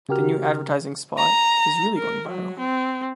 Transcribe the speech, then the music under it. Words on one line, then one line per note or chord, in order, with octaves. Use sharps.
The new advertising spot is going really viral.
C#3 F#4 G4 A#4 F6
A#5
A#4
F#3
C4